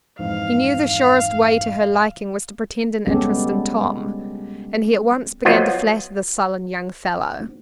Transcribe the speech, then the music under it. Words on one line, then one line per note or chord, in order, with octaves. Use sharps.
He knew the surest way to her liking was to pretend an interest in Tom, and he at once began to flatter the sullen young fellow.
F2 G#2 E3 F5
G3 G#3 B3 C#4 G4 A4
F3 F#3 B3 F4 C5 D#5